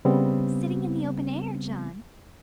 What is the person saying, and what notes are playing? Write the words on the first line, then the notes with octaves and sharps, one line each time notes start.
"Sitting in the open air, John?"
C#3 G3 B3 C4